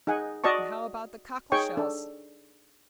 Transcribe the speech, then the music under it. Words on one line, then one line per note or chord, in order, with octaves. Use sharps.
"And how about the cockle-shells?"
D#4 G#4 F#5 G#5
F#4 D5 D#5 A5 C#6
D#4 G#4 C#5 G5 C#6
D4 A4